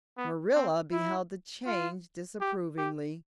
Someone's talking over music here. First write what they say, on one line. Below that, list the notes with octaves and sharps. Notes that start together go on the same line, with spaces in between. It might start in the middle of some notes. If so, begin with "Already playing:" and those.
Marilla beheld the change disapprovingly.
B3
C4
E4
F4
G4
G4